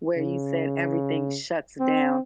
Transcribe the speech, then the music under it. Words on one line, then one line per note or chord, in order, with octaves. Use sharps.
where you said everything shuts down,
C#3
C4